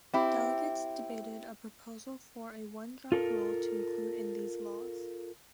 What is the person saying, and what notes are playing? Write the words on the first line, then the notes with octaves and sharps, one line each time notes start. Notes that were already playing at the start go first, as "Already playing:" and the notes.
Delegates debated a proposal for a one-drop rule to include in these laws.
C4 E4 G4
F4 A4 A#4